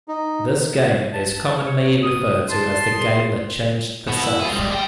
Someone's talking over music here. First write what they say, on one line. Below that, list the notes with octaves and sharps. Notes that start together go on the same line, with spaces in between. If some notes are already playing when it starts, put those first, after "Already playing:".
This game is commonly referred to as the game that changed the south.
D#4
A5
C#5
D#6
A5 C6
G#4
B2 B3
E4
F4 G#4
G3 G#3
G3 G5